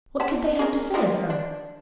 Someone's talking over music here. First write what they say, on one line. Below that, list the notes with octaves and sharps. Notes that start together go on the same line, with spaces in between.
What could they have to say of her?
C#4 F#5 A5
G#4 A#4
G3 G#3 A#4
D4